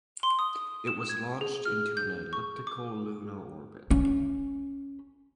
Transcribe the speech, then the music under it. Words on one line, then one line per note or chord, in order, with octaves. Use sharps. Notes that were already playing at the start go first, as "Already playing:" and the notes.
It was launched into an elliptical lunar orbit.
C6
D#6
E7
G#6
G#4
F6
G6
C#6
D6
C#4